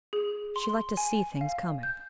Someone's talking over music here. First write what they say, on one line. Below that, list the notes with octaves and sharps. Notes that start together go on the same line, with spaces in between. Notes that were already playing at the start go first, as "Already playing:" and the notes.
She liked to see things coming.
G#4
C6
G#5
F5
G6